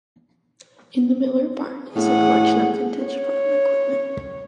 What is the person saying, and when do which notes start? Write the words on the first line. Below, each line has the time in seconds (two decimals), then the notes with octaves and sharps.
In the Miller Barn is a collection of vintage farm equipment.
1.95 A2 G#4 F#5
3.02 C#5